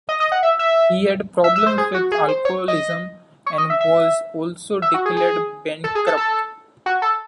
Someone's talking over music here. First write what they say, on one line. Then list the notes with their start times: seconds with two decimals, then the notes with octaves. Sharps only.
He had problems with alcoholism and was also declared bankrupt.
0.09 D#5
0.20 D#5
0.32 F#5
0.43 E5
0.59 E5
1.44 E5
1.56 E5
1.67 C5
1.78 G#4
1.94 F#4
2.12 G#4
2.28 C5
2.45 C#5
2.68 D#5
3.46 C#5
3.58 D#5
3.70 E5
3.80 E5
4.82 E5
4.94 F#4
5.06 G#4
5.17 G#4
5.84 A4
5.95 G#4
6.06 A4
6.17 A4
6.86 F#4
7.02 A4